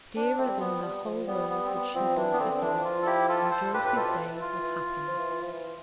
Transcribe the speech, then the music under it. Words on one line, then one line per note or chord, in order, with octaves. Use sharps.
Dearer than the whole world would she be to him and gild his days with happiness.
C4 D4
C4
A3 C4
F3
G3
F3 B3
G3
F3
G3 B3
B3
C4
B3
F3 C4
E3 D4
B3
D3 C4
D3 C4
E3 D4
F3
F4
A4
E4 G4
F4 A4
A4 C5
G2 G4 B4
A2 B4
B2 F4 A4
C3
E3
F4
E3
F3
E3
E3
F3
E3